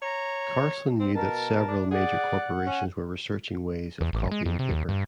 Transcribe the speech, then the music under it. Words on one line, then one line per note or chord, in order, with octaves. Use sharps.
Carlson knew that several major corporations were researching ways of copying paper.
C#5 A#5
C4
B2 A#4 A5
D4
G#4 D5 F#5
C#4 G#5
E2
A1
G#3
F2
C3
D#2
G2